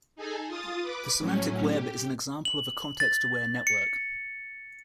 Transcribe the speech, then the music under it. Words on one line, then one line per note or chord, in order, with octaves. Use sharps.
The Semantic Web is an example of a context-aware network.
D#4 G#4 A4 G#5
F4 D#6 A6
B4 D6
A2 F#3 C#4
G4
F#7
A6
C#7